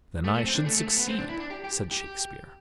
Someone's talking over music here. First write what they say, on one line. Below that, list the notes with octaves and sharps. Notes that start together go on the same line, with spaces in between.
"Then I should succeed," said Shakespeare.
A3
A3
C4
D4
A3
A3
A3
B3
C4
D4
E4
D4
G4
G4
G4